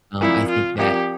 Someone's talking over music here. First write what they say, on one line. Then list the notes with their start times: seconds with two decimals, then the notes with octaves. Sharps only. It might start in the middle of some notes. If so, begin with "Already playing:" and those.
um, I think that
0.21 F3 C4 E4 F4 A#4 D5
0.49 F4
0.78 F3 C4 F4 G4 A#4 D5